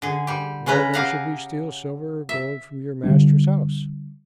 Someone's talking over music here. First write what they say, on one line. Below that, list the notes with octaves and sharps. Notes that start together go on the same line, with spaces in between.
Why then should we steal silver or gold from your master's house?
D3 G#4
G3 G4
C#3 G#3 C#4 B4 A#5
G4 G#4 F5 F#5 A#5
E5
D3 E3 G3 D4